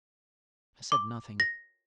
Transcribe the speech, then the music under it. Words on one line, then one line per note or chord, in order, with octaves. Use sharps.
I said nothing.
D6
A#6